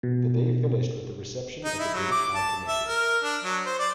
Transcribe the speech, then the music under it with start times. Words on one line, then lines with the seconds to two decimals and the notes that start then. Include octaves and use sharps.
The day finished with a reception at the British High Commission.
0.03 B2
1.64 D#4
1.79 E4
1.94 F#3
2.11 D6
2.35 A5
2.68 E5
2.88 A#4
3.23 D4
3.43 F#3
3.66 C5
3.79 D5